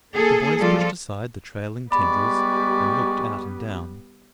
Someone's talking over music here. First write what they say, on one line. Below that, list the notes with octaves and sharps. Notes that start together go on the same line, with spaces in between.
The boys pushed aside the trailing tendrils and looked out and down.
A#3 G#4 A4
F3 G3 F4 A4 D5
G3 G#3 B3 G4 D5 B5 C#6